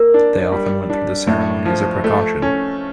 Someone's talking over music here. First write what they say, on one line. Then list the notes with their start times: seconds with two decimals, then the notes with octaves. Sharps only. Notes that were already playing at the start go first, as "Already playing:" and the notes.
They often went through the ceremony as a precaution.
Already playing: A#3 A#4
0.14 D4
0.52 G3
0.90 D4
1.27 A2
1.65 F3
2.04 A3
2.42 C#4